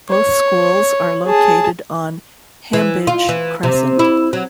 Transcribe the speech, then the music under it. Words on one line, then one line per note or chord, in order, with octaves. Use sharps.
Both schools are located on Hambidge Crescent.
C#5
G#4 A5
E3
F4
E3
C3
E4
F#3